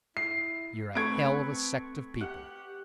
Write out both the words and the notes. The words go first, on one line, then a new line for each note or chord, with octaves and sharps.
You're a hell of a sect of people.
E4 C7
A3 C4 B4 C#6 G#6 D7
G4 F#5